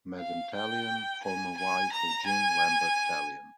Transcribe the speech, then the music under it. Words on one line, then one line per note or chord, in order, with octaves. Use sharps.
Madame Tallien, former wife of Jean Lambert Tallien.
F5
G5
G#5
G#5
A#5
G#5